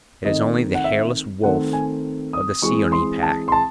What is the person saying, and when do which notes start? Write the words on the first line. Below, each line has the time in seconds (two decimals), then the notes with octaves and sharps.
It is only the hairless wolf of the Seeonee Pack.
0.24 D#3 A3 C4 D#5
0.75 F#5
0.84 E5
1.44 D#3 A3 C4 F#5
1.73 G#5
2.33 D#6
2.62 E3 G#3 C4 C#6
2.92 C6
3.23 A5
3.48 C6
3.52 A5